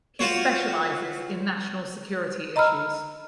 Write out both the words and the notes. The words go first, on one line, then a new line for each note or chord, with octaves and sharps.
He specialises in national security issues.
F4 F#4 C5 C#5
D#5 A#5 B5 E6 F6